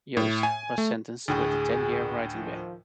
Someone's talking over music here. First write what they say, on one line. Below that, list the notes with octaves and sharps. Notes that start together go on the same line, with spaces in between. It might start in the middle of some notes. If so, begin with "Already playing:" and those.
Johst was sentenced with a ten-year writing ban.
A2
G#5
A3
D2 A2 G#4
D#3 F3